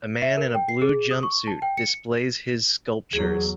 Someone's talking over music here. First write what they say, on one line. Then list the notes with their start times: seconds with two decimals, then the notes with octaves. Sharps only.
A man in a blue jumpsuit displays his sculptures.
0.22 E5
0.37 A#4
0.55 G5
0.69 C7
0.82 G#4
1.11 D#6
1.23 C#6
1.47 A5
1.62 G5
1.77 C#7
3.13 E2 F#3 G#4